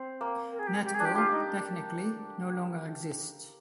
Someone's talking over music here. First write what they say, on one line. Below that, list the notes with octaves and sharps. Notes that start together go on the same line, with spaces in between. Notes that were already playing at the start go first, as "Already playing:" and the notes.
Netco, technically, no longer exists.
Already playing: C4 C5
A#3
A#4
G#4
G4
G#4
G4
G#4
D4
G4
F4 G4
D#4